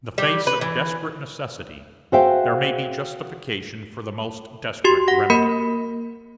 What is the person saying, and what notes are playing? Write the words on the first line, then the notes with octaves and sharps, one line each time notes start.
In the face of desperate necessity, there may be justification for the most desperate remedy.
G3
B4
E3
F#4 G#4 C5 E5 F5 G5
F#4 G4 C6
F#5 A#6
A#3 A#4 B5 C#7